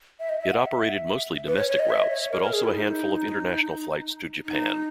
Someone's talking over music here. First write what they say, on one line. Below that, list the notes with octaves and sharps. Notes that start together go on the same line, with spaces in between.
It operated mostly domestic routes but also a handful of international flights to Japan.
E5
D#5
E5
F#5
E5
B4
C#5
C#5
D#5
E5
D#5
C#5
C#5
A#4
A#4
G#4
E4
D#4
D#4